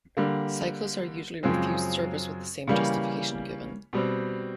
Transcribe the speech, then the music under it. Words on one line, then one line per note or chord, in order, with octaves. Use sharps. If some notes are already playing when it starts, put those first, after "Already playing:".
Cyclists are usually refused service with the same justification given.
D3 G3 A#3
F#2 C#3 F3 G#3 C4
C#3 E3 G3 A#3
B2 G3 C4